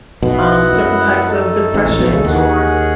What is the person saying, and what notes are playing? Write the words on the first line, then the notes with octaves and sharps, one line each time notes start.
um, certain types of depressions or,
B1 B2 B3 E4 B4 D#5 F#5
F#2
A3 D#4 A4
G#1 G#2
A1 A2
B1 B2
C#2 C#3
D#2 D#3 C#4 G#4 D#5 F#5